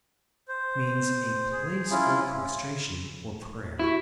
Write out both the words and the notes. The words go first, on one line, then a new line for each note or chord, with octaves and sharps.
It means a place for prostration or prayer.
C5
G#4
C#4 E4 F4
E4 F#4 G4 C#6